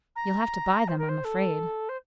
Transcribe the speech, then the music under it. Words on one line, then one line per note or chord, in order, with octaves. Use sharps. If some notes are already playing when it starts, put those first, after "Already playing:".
"You'll have to buy them, I'm afraid."
A#5
C5
A#4
C5
A4
C5